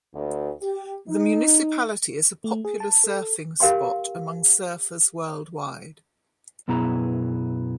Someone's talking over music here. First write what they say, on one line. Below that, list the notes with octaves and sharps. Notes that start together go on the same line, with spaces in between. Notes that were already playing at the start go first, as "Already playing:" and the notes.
The municipality is a popular surfing spot among surfers worldwide.
D2
G4
D#4
A3
G#4
A5
A4
G4 A#4 F5 G5 G#5 C6
F#2 B2 B3 E4 G#4 A#5